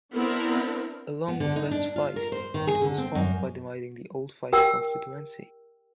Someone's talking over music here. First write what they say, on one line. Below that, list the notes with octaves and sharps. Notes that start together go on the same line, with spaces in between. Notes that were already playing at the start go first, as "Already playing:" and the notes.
Along with West Fife, it was formed by dividing the old Fife constituency.
B3 C4 D4 E4 A#4 B4
B3
D3
D#4
D4
F4
A#4
C5
D#3
G#4
D3
C4
F#2
G4 A#4 G5 E6